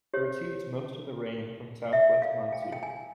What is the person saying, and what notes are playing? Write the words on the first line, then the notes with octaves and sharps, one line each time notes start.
It receives most of the rain from Southwest Monsoon.
G4 C5 C#5
E5
F5
G5
F5
G5
G#5